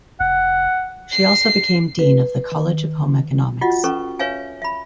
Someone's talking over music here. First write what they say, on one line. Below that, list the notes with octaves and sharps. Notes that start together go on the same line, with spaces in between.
She also became Dean of the College of Home Economics.
F1 F#5
C7
B4
D#3
F4 F#4 D#5 F#5
C#4 A4 B4 C#6
B4 C#5 E5 F5 G#5
E5 B5